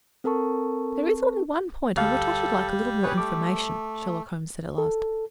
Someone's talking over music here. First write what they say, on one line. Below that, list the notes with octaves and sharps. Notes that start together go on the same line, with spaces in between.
"There is only one point on which I should like a little more information," Sherlock Holmes said at last.
C4 A4 A#4 A5 C#6
D2 G3 A4 F5
G#4 B4 C#5
A3 D6
A4